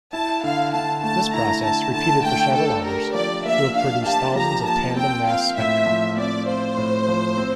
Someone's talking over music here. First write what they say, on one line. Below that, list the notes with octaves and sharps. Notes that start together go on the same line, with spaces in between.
This process, repeated for several hours, will produce thousands of tandem mass spectra.
E4 A5
D3 F5
D3 A5
A3 A5
E4 A#5
D3 A5
D3 A5
A3 G5
D4 A4
G4 A#4
F3 D5
A#3 E5
D4 F5
G4 A5
F3 A#5
A#3 A5
C4 G5
F4 F5
A2 E5
F3
C4 D5
F4 C5
A2
F3
C4